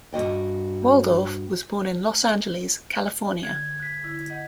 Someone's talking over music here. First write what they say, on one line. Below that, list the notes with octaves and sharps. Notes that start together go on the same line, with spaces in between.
Waldorf was born in Los Angeles, California.
G2 F#4 D#5 G5
D3 G#6
F#6 B6
D3 E4
D#5 F#5 G6